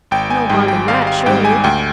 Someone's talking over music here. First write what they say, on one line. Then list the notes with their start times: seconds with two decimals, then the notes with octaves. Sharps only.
"No harm in that, surely."
0.11 G#1 G5
0.30 G#5
0.49 G#2 G3 G5
0.68 G5
0.88 G#1 F5
1.07 F5
1.26 G#2 G3 G5
1.45 G#5
1.64 D2 G5